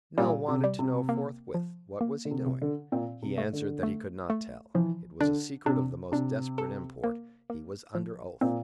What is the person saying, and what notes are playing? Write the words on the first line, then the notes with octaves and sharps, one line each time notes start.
Nell wanted to know forthwith what was he doing; he answered that he could not tell, it was a secret of the most desperate import; he was under oath.
A#2 G3
C3
G3
C3
A#3
F3
A#3
D3
C3
C3
D3
A#2 C4
C3
A3
D3
A3
A3
E3 F3
D3 D4
C3 D4
C3 D4
A4
A#3
A#3
F3
A#2 C4